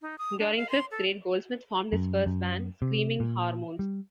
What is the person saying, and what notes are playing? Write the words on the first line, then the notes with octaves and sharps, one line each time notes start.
During fifth grade, Goldsmith formed his first band, Screaming Hormones.
D#4
D#6
D4
F5
C6
A4
F#2
F#2
C3
A#2
G3